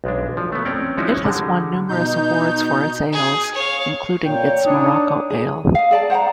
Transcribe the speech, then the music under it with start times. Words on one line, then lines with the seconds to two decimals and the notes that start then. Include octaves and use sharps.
It has won numerous awards for its ales, including its Morocco Ale.
0.04 B1 G#3 D4
0.37 F3
0.52 A3 B3
0.65 C4 C#4 D5 G5 A#5
0.98 F3 G#3 C#4 D#4 E4 F#4
1.25 D3 G3 G#3
1.89 B2 D#4 G6
3.13 G#4
3.55 C#5 F5
4.26 A#2 C#5 G5
4.66 D4 D#4 D#6
5.30 G#4
5.75 D#5 F5
5.91 G#4 D5 A5
6.10 C5 F#5 G5 A#5